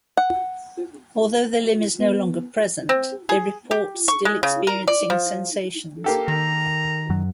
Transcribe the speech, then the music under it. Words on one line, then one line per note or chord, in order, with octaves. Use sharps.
Although the limb is no longer present, they report still experiencing sensations.
F#5
B3
C4
G#4
G4
C#6
G#3
C#3
A#4
D5
F3
A#3 G4 A4
D#3 A#5
F#2 F#3